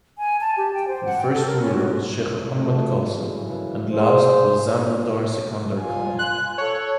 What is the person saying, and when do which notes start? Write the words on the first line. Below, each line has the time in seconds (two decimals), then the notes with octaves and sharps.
The First ruler was Sheikh Muhammad Qasim and last was Zamindar Sikandar Khan.
0.18 G#5
0.41 A5
0.57 G4
0.74 G5
0.88 C5
1.05 F#5
1.18 G5
1.33 A4
1.46 A#4
1.61 C#4
1.75 F#4
2.54 F2 G#2 B2 A3
3.11 F#2 C#3 E3
3.92 G#4 C5
5.78 F4 G#5
6.19 F#6
6.58 A4 C#5